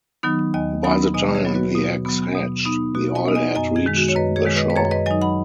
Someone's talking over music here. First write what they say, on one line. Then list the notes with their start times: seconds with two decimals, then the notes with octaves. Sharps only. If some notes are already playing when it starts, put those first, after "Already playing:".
By the time the eggs hatched, the oil had reached the shore.
0.23 D#3 F#3 B3 D#4
0.54 D#2 D#5 G#5
0.84 D#3 F#3 B3 D#4 F#5 B5
1.14 B2 D#5 G#5
1.35 G#4 C#5
1.45 F#3 B3
1.54 F#4 B4
1.75 B2
2.05 F#3 B3
2.35 B2
2.65 B3 D#4
2.95 B2 F#4
3.15 D#5 G#5
3.25 B3 D#4
3.35 D#5 G#5
3.55 F#2 D#5 G#5
3.76 G#4
3.86 D#3 G#3
3.97 F#4
4.08 C#5
4.16 F#2 B4 D#5
4.36 G#4 C#5
4.46 D#3 G#3
4.56 B4 D#5
4.70 B4
4.76 F#2 G#4 C#5
4.91 B4 D#5
5.06 F#3 D#5 G#5
5.11 D#4
5.22 F#5 B5